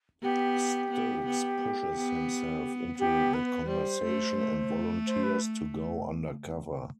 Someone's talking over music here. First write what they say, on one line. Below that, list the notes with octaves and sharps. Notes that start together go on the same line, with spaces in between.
Stokes pushes himself into the conversation and volunteers to go undercover.
B3 G4
B3
B3
B3
B3 G4
B4
G3 C5
A3
A3
C5
B4